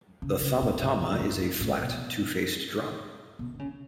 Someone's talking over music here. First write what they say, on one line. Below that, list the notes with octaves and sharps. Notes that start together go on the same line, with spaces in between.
The Thammattama is a flat, two faced drum.
C#3
C#3
A2
G#2
E2
F#2
G#2
A2
B2
B2
D3
C#3